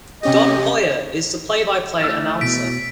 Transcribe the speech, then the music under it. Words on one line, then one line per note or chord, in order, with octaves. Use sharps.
Don Poier is the play-by-play announcer.
C3 C#4 G4 D#5
E3 A3 E6 F6 A6
B2 B6 D7